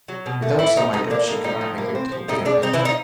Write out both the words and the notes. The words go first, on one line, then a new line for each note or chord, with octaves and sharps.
Without some items, she cannot make it through the adventure.
F#3
B2
A3
A2 E3 E4
F3 D#4
A2 D#4
A#3 D4
A2 D#4
F3 D#4
A2
A#3
C4
F3
A2 D#4
G#3 D4
C4 D#4
E3 E4
F3
D#4